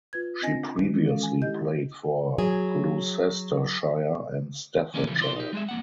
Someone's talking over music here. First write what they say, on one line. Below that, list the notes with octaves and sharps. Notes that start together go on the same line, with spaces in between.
She previously played for Gloucestershire and Staffordshire.
F4 B4 G#6
C4 D4 D#5 G#5 A#6
D#3 E3 G#3 F#4
C#4 A4 F5
G#5
E4 G4 D#5 G6
F#3 G#4
E3 A#3 C#4 D5
A2 C#3 E3 F3 G3 A3
B2 F4 D5 C6
D#4 G4
G3 G#3 G#4 E5
F2 A#3 F#5